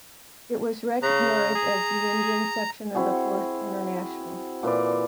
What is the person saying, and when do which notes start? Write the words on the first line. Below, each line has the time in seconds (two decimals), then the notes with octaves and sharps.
It was recognized as the Indian section of the Fourth International.
1.02 C#3 A#5
1.55 G#4
2.95 C4 E4 F#4 G#4
4.63 A#2 E3 B4 D5